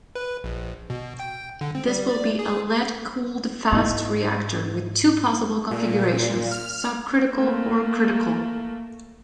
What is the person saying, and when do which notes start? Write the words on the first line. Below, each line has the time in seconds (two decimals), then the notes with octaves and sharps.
This will be a 'Lead-cooled fast reactor' with two possible configurations: sub-critical or critical.
0.15 B4
0.44 A#1
0.90 B2
1.20 G5
1.61 D3
1.75 C4
1.87 G3
2.09 D5
2.39 G#4
3.72 G#2 B3 D#4 E4
5.71 A#2
6.51 F6
7.34 A3 A#3